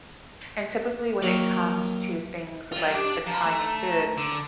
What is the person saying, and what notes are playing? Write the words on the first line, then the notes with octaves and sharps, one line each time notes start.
and, typically, when it comes to things like Italian food,
D#3 F#3 A#3 F#4 A#4
G3 F4
D4 G4 D5
F3 A#5
A3
A#5
D3